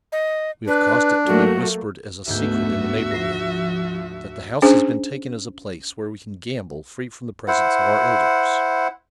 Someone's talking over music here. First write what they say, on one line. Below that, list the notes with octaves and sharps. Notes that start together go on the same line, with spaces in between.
We have caused it to be whispered as a secret in the neighbourhood, that the house has been taken as a place where we can gamble free from the presence of our elders.
D#5
D4 B4
F#3 A3 A#3 F#4
D2 G#2 A3 B3 F#4 E5 G6
F3 A#6 C7
C#4 D4 G#4 C5
E4 C5 F#5